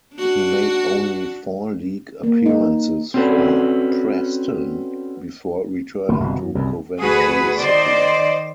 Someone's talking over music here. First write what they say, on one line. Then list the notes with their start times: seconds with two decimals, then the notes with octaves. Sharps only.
He made only four league appearances for Preston before returning to Coventry City.
0.15 D4 F#4
2.23 A#3
2.46 D#4
3.14 C4 C#4 F#4 A4 B4 D5
6.09 F#1 A3
6.20 G1 C2 G2 B2
6.34 F#2
6.55 C2 F#2
6.97 D2 F#4 G#4 B4
7.56 D#3 C5 D5 D#5